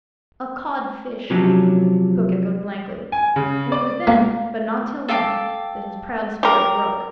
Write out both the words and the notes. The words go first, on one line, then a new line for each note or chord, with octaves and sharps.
"A codfish!" Hook echoed blankly, and it was then, but not till then, that his proud spirit broke.
C3 F3 F#3 C#4 D4
G#5
C#3
D5
A#3
A4 F5 G5 D6
G4 A#4